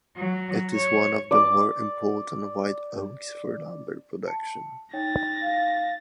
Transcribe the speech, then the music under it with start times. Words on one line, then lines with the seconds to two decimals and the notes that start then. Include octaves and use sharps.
It is one of the more important white oaks for lumber production.
0.17 F#3
0.74 C#5
1.31 D5 D6
4.27 A5 C#7
4.93 D#4 C#5 G5 A6 A#6
5.42 F5